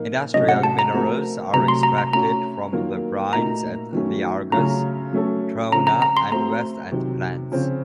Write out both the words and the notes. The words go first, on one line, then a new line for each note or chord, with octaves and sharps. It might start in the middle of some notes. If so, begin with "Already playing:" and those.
Industrial minerals are extracted from the brines at the Argus, Trona and Westend plants.
Already playing: A#2 F3 A#3 D#4 A#4
C3 F#3 A3 C#4 D#5
F#5
A5
A#5
F3 A3 C4 F#4 A#4
C3 F#3 A3 A#5
C6
A#5
A#5
A3 C#4 F#4 A#5
D#3 F#3 A#3 F4 A#4
A#2 A3 D#4 F#4 A#4 A#5
D#3 F#3 A3 C#4
C#3 F#3 A3 C#4 F4 A#5
F#3 A3 C#4 A4
C#3 F3 C4 A#5
A#5
A#5
C6
A3 C4 F#4 A#5
C3 D#3 F#3
C#3 F3 C4